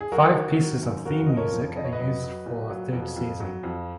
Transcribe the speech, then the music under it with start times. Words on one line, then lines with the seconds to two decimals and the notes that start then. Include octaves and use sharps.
Five pieces of theme music are used for third season.
0.01 G#4
0.12 F#3 F#4 A#4
0.36 D#3
0.59 D#3
0.82 F#2
1.05 F2 F#4 A#4
1.27 F3 D#5
1.37 A#4 C#5
1.52 F2
1.76 F2 D#5
1.84 C#5
1.92 B4 D#5
1.99 F#3
2.23 F#3
2.46 A#2
2.70 F#3
2.93 F2
3.16 F2
3.40 F#3
3.63 F2